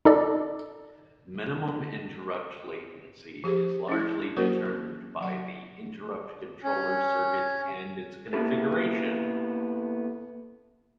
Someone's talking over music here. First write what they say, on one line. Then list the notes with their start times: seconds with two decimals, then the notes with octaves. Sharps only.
Minimum interrupt latency is largely determined by the interrupt controller circuit and its configuration.
0.05 D#4 A4 D5
3.44 F3 G4 G#4 C5
3.88 C#4 E4
4.37 F#3 A#3 C#4 F#4 A#4 C5
5.21 F#3 F#5
6.63 C#4
8.33 A#3 B3 C#4 E4 G4 A4